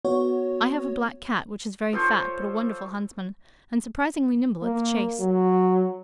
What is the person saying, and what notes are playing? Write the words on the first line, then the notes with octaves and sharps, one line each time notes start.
I have a black Cat, which is very fat, but a wonderful huntsman, and surprisingly nimble at the chase.
B3 F#4 C#5
F3 A4 C5 C#5
A#3
F#3